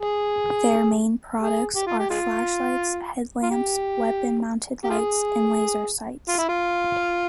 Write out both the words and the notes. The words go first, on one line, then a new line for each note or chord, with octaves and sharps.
Their main products are flashlights, headlamps, weapon-mounted lights and laser sights.
G#4
G#4
G4
F4
G4
G#3 F4
F4
G4
G4
F4 G#4
F4
E4
F4